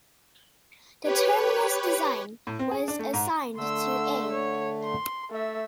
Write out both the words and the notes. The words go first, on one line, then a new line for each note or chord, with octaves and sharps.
The terminus design was assigned to A.
G4 B4 C#5
A2
C4
G#4
D4
A3
G#2
D3 A3 C6 E6
C#5
C6
A3 E5